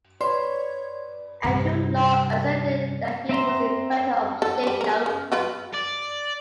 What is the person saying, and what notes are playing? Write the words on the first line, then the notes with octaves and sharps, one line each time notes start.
Andrew Law asserted that he was the inventor of shape notes.
B4 C#5 D5 B5 C6
G2 C3
C4 E5 A#5 C6
D3 A4
G3 D4
G#4 A#4
C#3
F#3 F4 B4
D5